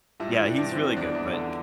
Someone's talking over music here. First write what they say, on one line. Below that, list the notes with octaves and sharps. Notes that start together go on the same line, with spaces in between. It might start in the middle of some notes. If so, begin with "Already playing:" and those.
Yeah, he's really good, but,
G2 E4
E3
D4
G2
C4
E3
E2 D4
E2
D3